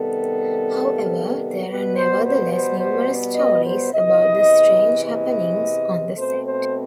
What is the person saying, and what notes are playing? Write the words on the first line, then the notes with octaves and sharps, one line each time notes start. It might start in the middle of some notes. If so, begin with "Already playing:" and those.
However, there are nevertheless numerous stories about the strange happenings on the set.
Already playing: C3 D#3 G3 B3 A4
B2 G3 B3 B4
C5
C5
C5
C5
D#5
C5
E2 C3 E3 D#5
D#5
B2 A3 C4 C5
C5